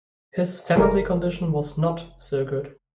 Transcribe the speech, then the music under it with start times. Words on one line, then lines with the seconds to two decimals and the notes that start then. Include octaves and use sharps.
His family condition was not so good.
0.76 F1 G#3 A3 A#4